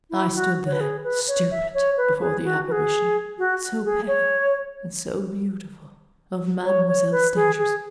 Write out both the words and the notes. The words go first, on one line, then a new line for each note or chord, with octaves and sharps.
I stood there, stupid, before the apparition--so pale and so beautiful--of Mademoiselle Stangerson.
E4
F#4
C#5
B4
G#4
B4
C#5
E5
C#5
B4
G#4
F#4
B4
G#4
F#4
G#4
C#5
C#5
C#5
B4
G#4
G#4